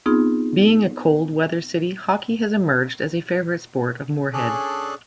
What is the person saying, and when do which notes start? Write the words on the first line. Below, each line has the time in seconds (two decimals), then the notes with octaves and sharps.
Being a cold weather city, hockey has emerged as a favorite sport of Moorhead.
0.06 B3 C4 D#4 F4 G#4
4.33 C#4 D4 G#4 A4 D5 F#6